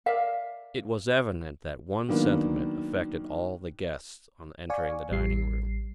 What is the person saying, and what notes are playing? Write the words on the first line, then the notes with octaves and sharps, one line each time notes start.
It was evident that one sentiment affected all the guests on entering the dining-room.
A#4 D5 E5 F5
D#3 F#3 A#3 B3 D4
D5 F5 G#5 C#6
A1 G3 C7